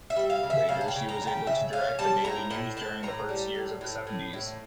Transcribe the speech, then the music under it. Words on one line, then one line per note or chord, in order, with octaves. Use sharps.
Later she was able to direct the “Daily News” during the first years of the seventies.
E5
G3
F5
C#3
E5
C#3 F5
A5
G5
C#3
A#5
C#3
G5
C#3 E5
C#4 F5
G3 A5
A2 A#5
A2 A5
A2 A5
A2 A#5
G3
A2
A2
A2
A2